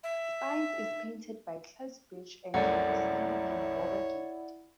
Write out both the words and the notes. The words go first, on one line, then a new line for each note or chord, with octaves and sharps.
Spines is painted by Claes Birch and can be seen in Borgergade.
E5
C2 F#2 A3 E4 C#5 D5 F#5